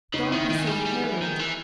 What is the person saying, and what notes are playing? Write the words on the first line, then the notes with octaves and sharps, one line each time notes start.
Don't be so hurried!
C#3 D#4
D#3 E4
D#3 E4
E3
G3 G#4
G3
E3
D#3
E3